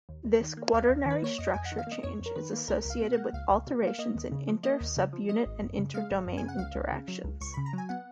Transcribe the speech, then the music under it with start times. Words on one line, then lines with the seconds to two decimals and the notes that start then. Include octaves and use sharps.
This quaternary structure change is associated with alterations in inter-subunit and inter-domain interactions.
0.09 D#2
0.25 D#2
0.41 D#3
0.57 A#3
0.73 D#2 F5
0.89 D#2
1.06 D#3 B4
1.22 A#3 C#5
1.38 F2 D#5
1.54 F2 G#5
1.65 F#5
1.72 D#3
1.79 F5
1.87 A#3 D#5
2.03 F2 C#5
2.20 F2
2.26 A#4
2.36 D#3 B4
2.53 A#3
2.68 C#2 A#4
2.85 C#2
2.90 F5
3.01 B2
3.13 A#3 F#5
3.33 C#2 F5
3.50 C#2
3.67 B2
3.82 A#3 F5
3.99 A#3 D#5
4.15 D#2
4.32 C#3
4.48 F3
4.63 A#3 D#5
4.81 D#2
4.97 C#3
5.13 F3
5.29 G#3 D#5
5.46 G#1
5.62 F#2
5.78 C#3
5.94 G#3 F5
6.11 G#1
6.27 F#2
6.37 C#3 G#5
6.48 F#5
6.59 C#2 F5
6.75 C#2
6.92 C#3
7.08 F#3
7.24 C#2
7.41 C#2 C#6
7.54 C#3 B5
7.66 A#5
7.73 F#3 G#5
7.89 B3 F#5